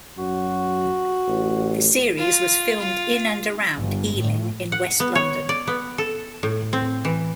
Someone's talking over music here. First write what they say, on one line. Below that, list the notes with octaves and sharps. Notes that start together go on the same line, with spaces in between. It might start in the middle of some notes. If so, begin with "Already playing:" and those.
The series was filmed in and around Ealing in west London.
F#2 F#4
A1
F4
F4
G1
A2
F#5
B3
C#5
D5
B3
A4
A2
C4
E3